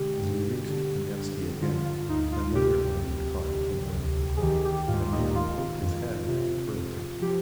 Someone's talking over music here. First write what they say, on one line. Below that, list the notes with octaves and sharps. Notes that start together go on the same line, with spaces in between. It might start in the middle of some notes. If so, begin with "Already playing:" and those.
As we reached the Nevsky again another armoured car came around the corner, and a man poked his head out of the turret-top.
Already playing: B2 D3 G#3 G4
G2
D3
G2
D3 F4
F4
D2 D#4
F4
C3 G4
C2
D3
D2
G#4
D#3 G4
G4
G#2 F4
D#4
D#3 F4
F2
C3
F2
F3 G4